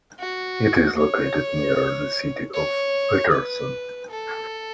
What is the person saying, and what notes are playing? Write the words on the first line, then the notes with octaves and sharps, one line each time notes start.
It is located near the city of Paterson.
F#4
C#5
C#5
B4
A4